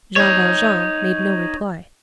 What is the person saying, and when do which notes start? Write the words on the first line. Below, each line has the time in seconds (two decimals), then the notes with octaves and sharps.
Jean Valjean made no reply.
0.16 D#4 C#5